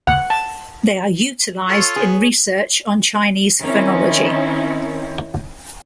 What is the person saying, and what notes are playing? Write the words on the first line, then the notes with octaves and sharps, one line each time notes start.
They are utilized in research on Chinese phonology.
F#5
A5
F4 A4 C#5 C#6
B3 G#4 C#5
D#3 C4 C#4 D#4 E4